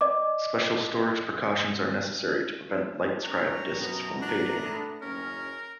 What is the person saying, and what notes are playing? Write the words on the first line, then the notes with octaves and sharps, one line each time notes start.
Special storage precautions are necessary to prevent LightScribe discs from fading.
D5 D#5 D6
C#4 A#5
F#2 B2 B3
D4
A3 B3
F#1 D#2 C#4 A#4